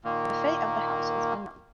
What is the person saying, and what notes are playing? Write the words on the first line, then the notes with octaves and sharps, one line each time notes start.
The fate of the house is unknown.
A#2 D#3 A#3